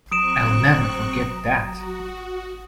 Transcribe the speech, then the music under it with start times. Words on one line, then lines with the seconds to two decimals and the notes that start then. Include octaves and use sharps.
I'll never forget that.
0.12 F#3 C4 A#5 C#6 D#6 F#6 D7 E7
1.67 F#4